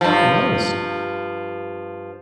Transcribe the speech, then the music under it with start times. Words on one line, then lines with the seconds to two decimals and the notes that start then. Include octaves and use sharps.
Oh, nice.
0.01 G2 F3